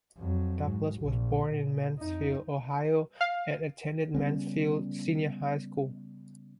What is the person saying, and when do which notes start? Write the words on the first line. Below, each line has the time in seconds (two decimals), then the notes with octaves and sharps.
Douglas was born in Mansfield, Ohio and attended Mansfield Senior High School.
0.18 F2 F#3
0.67 G#2
1.01 A#1
1.49 A#2
1.96 F2 D#4
3.21 F5
4.15 C#3 G3 B3 C#4